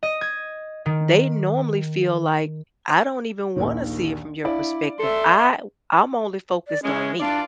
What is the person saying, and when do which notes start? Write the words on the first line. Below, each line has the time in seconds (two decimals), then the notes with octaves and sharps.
they normally feel, like, “I don't even wanna see it from your perspective, I w I'm only focused on me,
0.03 D#5
0.21 G#6
0.86 D#3
3.56 A#1 D#2 D#3
4.45 D4 E4 D5 F5
4.99 A4 E5 C6
6.68 D5
6.83 E3 G#3 C#4
7.20 E3 D4 F4 D5